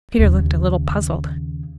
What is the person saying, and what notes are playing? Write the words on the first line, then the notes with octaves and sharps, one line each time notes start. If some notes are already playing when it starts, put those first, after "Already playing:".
Peter looked a little puzzled.
D#2 C#3